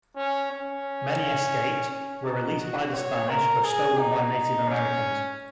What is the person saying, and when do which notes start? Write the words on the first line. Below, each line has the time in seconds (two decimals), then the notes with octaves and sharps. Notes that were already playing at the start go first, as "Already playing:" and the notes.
Many escaped, were released by the Spanish or stolen by Native Americans.
0.16 C#4
0.51 C#4
1.90 C#4
2.25 D#4
2.59 F#4
2.94 C#5
3.29 A#4
3.64 G#4
3.98 D#4
4.68 C#4